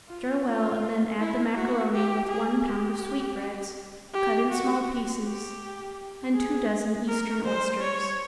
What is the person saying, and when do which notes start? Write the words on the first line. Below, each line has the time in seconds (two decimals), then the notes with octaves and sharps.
Stir well and then add the macaroni with one pound of sweetbreads, cut in small pieces and two dozen Eastern oysters.
0.09 F4
0.46 F4
1.19 E4
1.56 F#4
1.93 G4
2.29 G#4
2.66 G4
4.14 G4
4.51 F#4
5.24 G4
6.35 G#4
7.08 A#4
7.45 C5
7.81 C#5